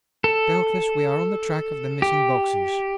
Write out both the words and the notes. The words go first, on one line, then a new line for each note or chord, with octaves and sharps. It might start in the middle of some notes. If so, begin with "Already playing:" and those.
Doubtless we are on the track of the missing boxes.
A4
G4